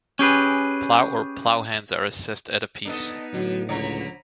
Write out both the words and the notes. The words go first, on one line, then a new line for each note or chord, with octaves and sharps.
Plow or ploughlands are assessed at apiece.
C#4 G4 G#4 B4
B3 D4 D#4 A4 D#5
A2 D3 F#3
C#2 D3 F3 C#5 A#5 B5